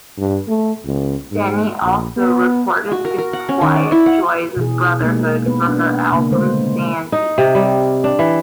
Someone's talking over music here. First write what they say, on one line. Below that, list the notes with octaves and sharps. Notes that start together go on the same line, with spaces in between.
Denny also recorded "The Quiet Joys of Brotherhood" for her album "Sandy".
G2
A3
C#2
G#2
A#1
B3
F#4
A#4
A#4
F#5
C#4
D#3
D5
E4
F#5
B2 E3 G#4
G#3 A#3 B3 D#4
B3 B4
D4
C#3 A#3
D3 G#3 A3 C5
D#4
C3
G3
D4
E3